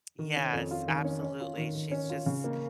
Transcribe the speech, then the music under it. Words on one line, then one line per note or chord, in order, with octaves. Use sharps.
Yes, absolutely, she's just
D#3
C#4
F2
F4
D#3
C#4
C#4
F4
D#3
D#3
C#4
F4
C#3
A#3